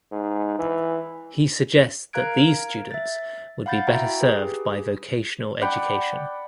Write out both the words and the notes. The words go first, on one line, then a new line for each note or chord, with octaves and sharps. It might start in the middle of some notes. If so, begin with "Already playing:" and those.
He suggests that these students would be better served by vocational education.
G#2
E3
A#4 F5 A#5 F#6 G#6 D7
E5 A6
F5 F#5 B5 G6 A6
E4 F#4 E5 G5 A#5
G4 G#4 B4
D5 F#5 G5 B5